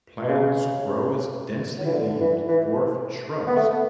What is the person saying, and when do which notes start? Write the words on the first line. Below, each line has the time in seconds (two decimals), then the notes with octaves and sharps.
Plants grow as densely leaved dwarf shrubs.
0.22 B2
0.29 C#3
1.78 F#3
1.85 E3
1.92 D3
2.21 E3
2.48 E3
3.47 B3
3.56 A3